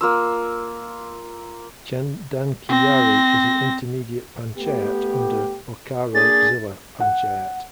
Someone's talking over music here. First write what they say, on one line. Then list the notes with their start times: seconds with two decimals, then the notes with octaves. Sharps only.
Chandankiyari is an intermediate panchayat under Bokaro Zilla panchayat.
0.01 A#3 F4 E6
2.69 C4 A#6
4.59 A3 B3 G4
6.15 A#3 D4 G#4 A6
7.00 F#5